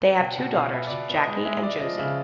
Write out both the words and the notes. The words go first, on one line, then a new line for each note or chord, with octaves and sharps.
They have two daughters, Jackie and Josie.
B2 G5
B2 F#5
B2 F5
B3 E5
B2 D5
B3 D#5
G#3 D#5
G#3 E5
G#3 D5
F3 D#5
C#3 E5